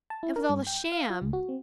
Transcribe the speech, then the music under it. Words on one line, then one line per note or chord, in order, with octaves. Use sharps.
It was all a sham.
A5
E4
A#4
G2
G5
F5
F4
C#2
F#4
C4